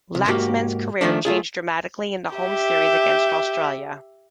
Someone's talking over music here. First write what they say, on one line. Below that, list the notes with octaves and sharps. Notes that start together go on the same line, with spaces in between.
Laxman's career changed dramatically in the home series against Australia.
C2
G#2 A#3 F#4 G4
D#3 F3 A3 D4
A3 F4 G#4
G4 E5